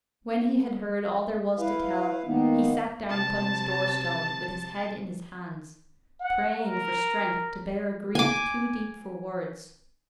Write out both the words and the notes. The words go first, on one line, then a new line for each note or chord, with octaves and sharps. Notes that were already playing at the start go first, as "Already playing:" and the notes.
When he had heard all there was to tell, he sat down upon his door-stone with his head in his hands, praying for strength to bear a grief too deep for words.
E4 B4 F5
D#3 G#3 A#3 B3 D#4
C3 A5
F#5
A#4
G#5 D6